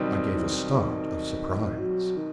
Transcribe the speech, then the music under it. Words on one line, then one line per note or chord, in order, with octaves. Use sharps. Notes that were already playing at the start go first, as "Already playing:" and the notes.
I gave a start of surprise.
Already playing: B1 B2 D#3 G3 C4
D#3
E3
D#3
F#3
D#3